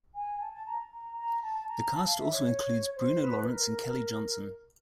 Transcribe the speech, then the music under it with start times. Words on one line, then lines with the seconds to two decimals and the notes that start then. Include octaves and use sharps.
The cast also includes Bruno Lawrence and Kelly Johnson.
0.15 G#5
0.40 A5
0.53 A5
0.66 A#5
0.91 A#5
1.17 A#5
1.42 A5
1.60 A5
1.68 A#5
1.94 A5
2.06 F5
2.19 E5
2.32 C#5
2.96 C5
3.22 B4
3.40 B4
3.47 A#4